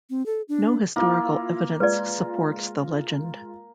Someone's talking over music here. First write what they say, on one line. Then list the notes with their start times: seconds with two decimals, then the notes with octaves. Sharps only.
No historical evidence supports the legend.
0.10 C4
0.26 A4
0.49 D4
0.96 A#3 E4 F4
1.80 G#3 F4 B4 D5